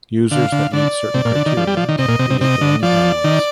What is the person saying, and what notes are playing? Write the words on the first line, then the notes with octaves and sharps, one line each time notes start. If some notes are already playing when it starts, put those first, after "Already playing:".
Users that meet certain criteria can create their own families.
D3 F5
D3
D3 D5
C3
A#2
D3
D#3
F3
G3
F3
D#3
C3 D#5
A#2
C3
C3
C3 D#5
D3
F3 D5
D#3